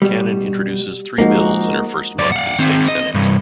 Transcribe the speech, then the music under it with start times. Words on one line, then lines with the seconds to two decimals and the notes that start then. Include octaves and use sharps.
Cannon introduces three bills in her first month in state senate.
0.02 B2 G3
1.18 F3 G#3 A#3 D#4 F#4
2.19 F#2 D5
2.32 F5 F#5
2.59 D#3 C4
2.88 D#5
3.14 C2 G2